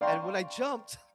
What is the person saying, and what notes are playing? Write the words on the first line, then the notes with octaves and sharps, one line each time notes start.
and when I jumped,
D5 F5 G5 A#5 C6 C#6